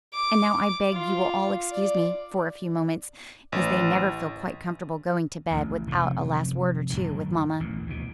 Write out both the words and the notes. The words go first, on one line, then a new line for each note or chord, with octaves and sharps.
"And now I beg you will all excuse me for a few moments, as they never feel quite comfortable going to bed without a last word or two with mamma."
D6
F4
D5
A1
A1 D2
F1 F#2 A2
F#1 B1 A2 D#3
A1 E2 A#2
D2 B2